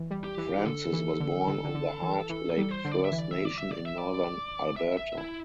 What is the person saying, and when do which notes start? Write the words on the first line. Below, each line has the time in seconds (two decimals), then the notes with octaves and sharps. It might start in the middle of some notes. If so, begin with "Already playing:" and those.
Francis was born on the Heart Lake First Nation in northern Alberta.
Already playing: E3
0.11 G3
0.24 G4
0.38 E3
0.57 E3
0.65 D3 A4
0.93 E3
1.20 D3
1.47 D3
1.64 D3
1.75 D3
2.02 E3
2.29 E3 A4
2.51 A4
2.58 G3
2.63 A4
2.71 C5
2.85 D3
2.91 D5
3.05 E5
3.12 E3
3.18 D5
3.31 E5
3.45 D5
3.57 E5
3.72 D5
3.85 E5
3.98 D5
4.76 E5
4.97 E5
5.18 E4